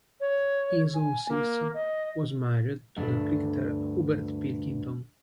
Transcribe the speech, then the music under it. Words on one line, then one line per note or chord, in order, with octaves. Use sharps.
His own sister was married to the cricketer Hubert Pilkington.
C#5
G#5
A#3
D#5
D2 G2 D4